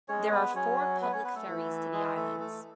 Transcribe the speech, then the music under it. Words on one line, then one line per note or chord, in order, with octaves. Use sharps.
There are four public ferries to the islands.
G#3 C#4 C#5
C#5
B3 B4
F#3 C#4 C#5
B3 B4
C#4 C#5
B3 B4
A3 A4
E3
G#3 G#4
A3 A4
A3 A4